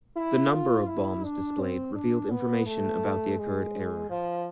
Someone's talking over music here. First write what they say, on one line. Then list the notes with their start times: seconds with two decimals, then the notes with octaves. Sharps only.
The number of bombs displayed revealed information about the occurred error.
0.16 E4
0.52 F4
0.88 E4
1.24 D4
1.60 C4
1.95 D4
2.30 B3
2.66 A3
3.38 G#3
4.10 F3